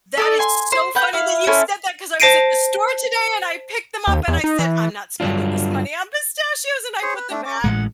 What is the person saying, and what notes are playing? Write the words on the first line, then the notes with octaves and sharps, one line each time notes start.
That is so funny that you said that 'cause I was at the store today and I picked them up and I said, "I'm not spending this money on pistachios." And I put them back.
A4 D5 D#6
G#5 C6
C5
B4 F#5 G6
E4 F5
C#4 E4 A4 C5
C5 A5 A#6 C7 D7 D#7
D#2
E2
D#4
E3
G2 D3 F#3 D4 F4
G#4 C5 C#5
B4
A3 D4
C#4 D6
A1 A2 G#3 F#5